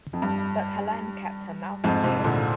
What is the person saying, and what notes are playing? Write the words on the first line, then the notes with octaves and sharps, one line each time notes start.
But Helene kept her mouth sealed.
F2
G2
F2 G#2
G#2 C3
A#2 D3